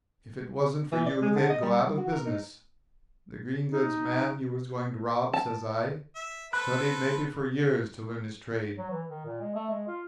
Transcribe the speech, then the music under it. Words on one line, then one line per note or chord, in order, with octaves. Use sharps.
If it wasn't for you they'd go out of business. The green goods man you was going to rob,' says I, 'studied maybe for years to learn his trade.
E3
D5
G#3
D3
D#5
G3
G3
F#4
A#4
D#4
D#4
A5
E5
A4 B4 C5 B5 F#6
F#3
E3
D#3
A#2
G#3
A3
G#3
F4